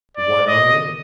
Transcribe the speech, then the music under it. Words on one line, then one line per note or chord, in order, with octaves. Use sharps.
"One only?"
D5
D#5